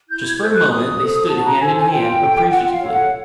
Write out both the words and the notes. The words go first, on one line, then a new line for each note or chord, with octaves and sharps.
Just for a moment they stood hand in hand, appreciatively....
E4 G6
G#6
A4 C5 G6
F#6
F#4 D#6
A4 C5
F#4 A5
A#5
A4 C5 G#5
G#5
F4 G5
A4 C#5
F4 F#5
F5
A4 C#5
F#5